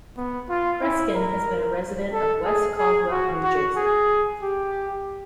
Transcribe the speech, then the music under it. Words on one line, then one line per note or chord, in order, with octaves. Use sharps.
Kreskin has been a resident of West Caldwell, New Jersey.
B3
F4
E4
A#4
A4
G#4
G#4
F#4
F#4
G#4
G4